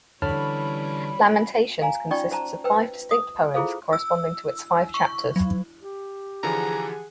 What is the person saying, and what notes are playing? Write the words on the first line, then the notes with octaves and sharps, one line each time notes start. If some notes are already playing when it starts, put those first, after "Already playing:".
Lamentations consists of five distinct poems, corresponding to its five chapters.
D3 E3 G3 C#4 C#5 A5 B5 F6
F5 G#5 A#5
C#4 D#4 F4 D5 G5 C#6
C5 A5 A#5
B4 C5 G5 E6
D#6
E4 F4 G#4 A4 C5 F5
E6
C#6
F#3
G4
D3 E3 F3 G#4 F#5 A#5